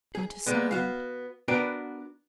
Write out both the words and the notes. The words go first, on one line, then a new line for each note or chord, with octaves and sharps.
Not a sound.
G#4
G3 G#3 B3
B3 F#4 F5
B3 D4 F#4 A#4 B4 G5